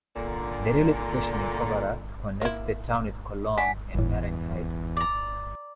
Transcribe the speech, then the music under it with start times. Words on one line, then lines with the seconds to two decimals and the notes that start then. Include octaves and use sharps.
The railway station in Overath connects the Town with Cologne and Marienheide.
0.15 A#2 D3
2.42 A#3 E4
3.58 D4 F#5 G#5 B6
3.94 G1 E2 A2
4.97 D5 A#5